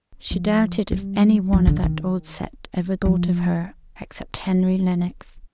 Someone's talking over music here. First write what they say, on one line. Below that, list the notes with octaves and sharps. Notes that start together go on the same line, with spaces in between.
She doubted if any one of that old set ever thought of her, except Henry Lennox.
F3
G3
F3
D3
D#3
F3